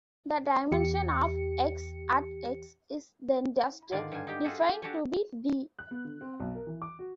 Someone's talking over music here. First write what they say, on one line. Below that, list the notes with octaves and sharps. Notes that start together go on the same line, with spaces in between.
The dimension of "X" at "x" is then just defined to be "d".
E2 G4 C#7
G#2 D3 D#3 F4 D5 F5
G2 F#3 F4 G#5
D#4 G4 G5
F4 F#4 G#4 A4 E5 F#5
G4
D4 F#4 G4 A4 C#5 G#5
F#6
B3
D3
C4
B1
A#4
E3
D6
F#4